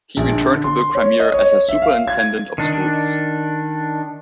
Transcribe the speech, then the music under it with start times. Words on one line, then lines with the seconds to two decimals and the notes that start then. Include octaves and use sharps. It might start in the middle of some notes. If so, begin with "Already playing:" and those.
He returned to the Crimea as a superintendent of schools.
0.17 A#1
0.32 D3
0.64 C6
0.95 C#5
1.20 D#5
1.34 C#5
1.69 E5
1.82 F5
2.08 G#6
2.58 D#3 D4